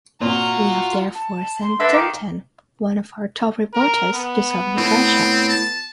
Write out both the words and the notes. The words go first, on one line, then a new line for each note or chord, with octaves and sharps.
We have therefore sent "Tintin", one of our top reporters, to Soviet Russia.
A#2 F4 F#4 A#5
A5
C6
D3 B4 E5
D#3 F5 D6
A#4
B3
A2 C4
A5